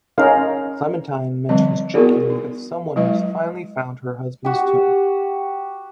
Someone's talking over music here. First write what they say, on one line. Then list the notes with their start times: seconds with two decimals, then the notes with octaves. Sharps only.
Clementine mentions jokingly that someone has finally found her husband's tomb.
0.18 C#4 D#4 A#4 F5
1.49 D3 F3 G3 C4 D#5
1.94 B3 E4 F#4 G#4 A#4 D5
2.30 D#4
2.96 F#3 G#3 E4 B4 D#5
4.45 F#4 G4